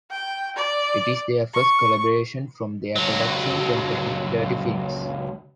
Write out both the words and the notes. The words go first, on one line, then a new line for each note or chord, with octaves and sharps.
It is their first collaboration from their production company "Dirty Films".
G5
D5
C#6
C#2 F#3